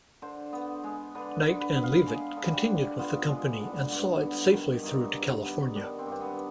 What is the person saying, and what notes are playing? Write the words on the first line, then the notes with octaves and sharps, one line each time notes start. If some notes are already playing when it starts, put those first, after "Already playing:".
Knight and Leavitt continued with the company and saw it safely through to California.
D3 C5
B3
G#3
D3 B4
D3
B4
B3
F5
G#3
D3
G4
D3
B3 F4
G#3
D3
G2
B3
D#3
G2 D#4
G2
B3
D#3 D4
C4
G2
C4
B3